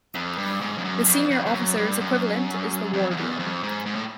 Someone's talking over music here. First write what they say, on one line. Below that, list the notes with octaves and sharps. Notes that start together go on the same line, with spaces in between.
The senior officers' equivalent is the wardroom.
F2
G2
G#2
F2
F#2
F2
F2
F2
F#2
G2
F#2
F2
F2
E2
F2
G#2
G#2
A2